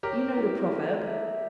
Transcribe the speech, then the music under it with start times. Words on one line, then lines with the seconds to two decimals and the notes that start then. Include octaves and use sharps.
'You know the proverb.'
0.03 G4 A#4 C#5
0.37 E4
0.72 A4
1.06 E5